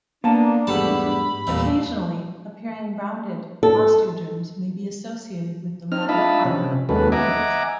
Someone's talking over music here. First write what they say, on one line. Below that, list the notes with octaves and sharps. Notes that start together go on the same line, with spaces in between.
Occasionally appearing rounded osteoderms may be associated with the lateral armor of the limbs.
A#3 B3 D4 A5
E2 G#2 G3 A3 A5 B5
E2 A#2 G3 A3
A4
C4 D#4 F6
D4 F4 D#5 E5 A5 B5
C3 C#4
D#2 G#3 C#4 F#4 A4 B4
D#5 E5 F#5 G#5 A#5 D6